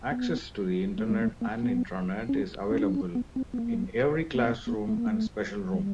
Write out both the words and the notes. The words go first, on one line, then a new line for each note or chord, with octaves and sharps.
Access to the Internet and Intranet is available in every classroom and special room.
B3
A3
G#3
A3
A#3
B3
C#4
C#4
D4
C#4
B3
C4
B3
A#3
A#3
B3
A#3
A3
A#3
A3
G3